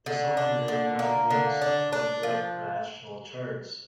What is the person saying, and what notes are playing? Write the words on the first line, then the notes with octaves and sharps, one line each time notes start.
The song ran nine weeks on both national charts.
D3
D4
D3
A#3
D3
D4
D4
F3